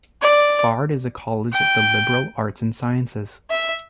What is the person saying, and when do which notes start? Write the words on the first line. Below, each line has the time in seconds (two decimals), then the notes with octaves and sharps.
Bard is a college of the liberal arts and sciences.
0.22 D5
1.53 G5
3.51 E5